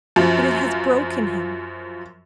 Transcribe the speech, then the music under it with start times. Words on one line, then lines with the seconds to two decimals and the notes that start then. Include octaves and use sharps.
But it has broken him.
0.16 F#2 F3